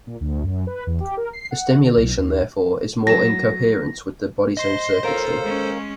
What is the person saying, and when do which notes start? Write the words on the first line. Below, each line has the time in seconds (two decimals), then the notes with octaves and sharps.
The stimulation therefore is more in coherence with the body's own circuitry.
0.07 A#2
0.21 D2
0.43 F#2
0.67 B4
0.87 E2
1.00 G4
1.17 A#4
1.33 C7
1.51 F#5
1.79 D3
1.97 B1
2.17 D#2
3.07 F#3 A#6 E7
4.57 C5 D#5 C6
5.03 D#2 F4 A4 A#4 C5 F5
5.44 G#3 C#4